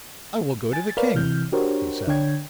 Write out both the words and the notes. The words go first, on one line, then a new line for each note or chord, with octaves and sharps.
"I will go to the king," he said.
G#5 A6
A#4 B4 C#5 D5 F5 B5
C3 E3 F6 G6
D4 F#4 G4 A#4 C5 C#5
D3 D4 C#5 G5 G#6